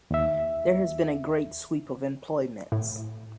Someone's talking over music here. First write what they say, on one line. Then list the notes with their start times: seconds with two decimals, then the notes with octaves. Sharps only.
There has been a great sweep of employments.
0.11 D#2 E5
2.72 A2